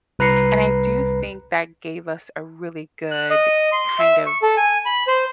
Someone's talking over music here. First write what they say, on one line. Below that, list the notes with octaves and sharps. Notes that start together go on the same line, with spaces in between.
and I do think that gave us a really good kind of
C2 B4 A#5 C7 C#7
F#6
D#5
C6
E5
C#6
A4
G#5
B5
C5